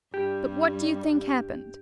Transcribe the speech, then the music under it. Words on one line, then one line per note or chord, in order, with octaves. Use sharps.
But what do you think happened?
G2 G3 G4